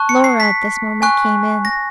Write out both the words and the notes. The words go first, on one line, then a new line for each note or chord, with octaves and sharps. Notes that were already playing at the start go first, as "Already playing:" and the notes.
Laura at this moment, came in.
Already playing: A5 C#6 F#6
C#7
C7
B6
G#5 C#6 F#6
A#6